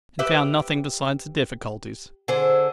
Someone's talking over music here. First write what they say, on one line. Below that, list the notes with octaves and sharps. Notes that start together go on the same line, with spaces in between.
'And found nothing besides the difficulties?'
G4 B4 E5
D3 G#4 C5